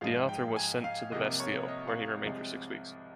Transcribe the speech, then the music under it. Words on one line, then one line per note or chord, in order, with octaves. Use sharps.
The author was sent to the Bastille, where he remained for six weeks.
G#2 F3 G#3 F5
G5
G#5
F5
C2 C3 F3 A#3 D#5
C#5
D#5
F5
C2 C3 F3 G#3